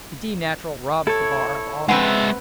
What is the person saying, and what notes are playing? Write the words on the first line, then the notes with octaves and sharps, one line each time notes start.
The D natural robs the bar of all meaning.
E4 A4 C#5
G#3 C4 B4 E5 F#5